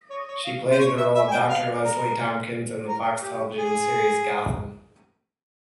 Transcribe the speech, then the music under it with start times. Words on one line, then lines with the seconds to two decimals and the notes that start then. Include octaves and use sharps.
She plays the role of Doctor Leslie Thompkins in the Fox television series "Gotham".
0.10 C#5
0.28 C#5
0.45 F5
0.71 C5
0.80 C#5
0.98 E5
1.15 E5
1.28 G#5
1.31 G5
1.49 F5
1.84 A#4
2.88 A#4
3.22 G4
3.57 G#4